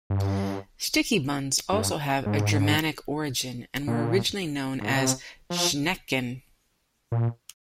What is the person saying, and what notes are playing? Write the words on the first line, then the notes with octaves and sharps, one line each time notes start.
Sticky buns also have a Germanic origin and were originally known as ""Schnecken"".
G2
G2
G#2
A#2
G#2
A#2
C3
F3
A#2